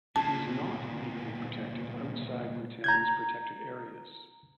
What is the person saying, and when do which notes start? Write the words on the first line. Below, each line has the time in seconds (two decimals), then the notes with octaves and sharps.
It is not legally protected outside Bhutan's protected areas.
0.16 D2 A#2 A5
2.84 A#5 G6 G#6